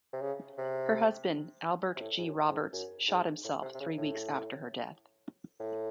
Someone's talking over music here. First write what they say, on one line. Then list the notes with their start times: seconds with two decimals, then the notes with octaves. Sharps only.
Her husband, Albert G. Roberts, shot himself three weeks after her death.
0.13 C3
0.22 C#3
0.58 C3
1.96 C3
2.01 A2
2.18 G#2
2.25 F#2
2.49 G#2
2.73 F#2
3.08 G#2
3.44 A2
3.62 C3
3.75 C3
3.80 C#3
3.98 A2
5.60 A2